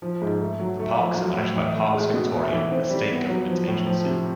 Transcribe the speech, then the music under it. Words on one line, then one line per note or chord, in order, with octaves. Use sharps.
The parks are managed by Parks Victoria, a state government agency.
F3
G#2
A3
F#3
A3
F3
F#3
A2
E3
A2
G#3
B2
A3
E3
C4
G3
B3
F#3
F3
A2
F3
C3